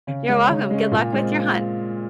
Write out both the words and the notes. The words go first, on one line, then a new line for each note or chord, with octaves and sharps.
You're welcome. Good luck with your hunt.
C#3
G#3 C#4
C#3
G#3 C#4
A#2
G#3 C4 F4